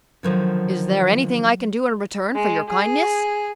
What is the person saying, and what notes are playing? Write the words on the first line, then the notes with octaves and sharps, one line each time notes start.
"Is there anything I can do in return for your kindness?"
D3 D#3 F3 F#3 G#6
G#3
G#4